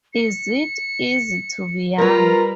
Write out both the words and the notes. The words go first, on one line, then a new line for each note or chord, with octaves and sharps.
Is It Easy to Be Young?
C#7
G3 F4 A#4 B4 A#5